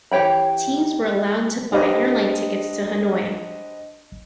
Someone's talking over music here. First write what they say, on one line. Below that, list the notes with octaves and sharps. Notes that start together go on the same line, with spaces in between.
Teams were allowed to buy airline tickets to Hanoi.
E3 G4 C#5 G5 B5
D4 G4 B4 C5 D#5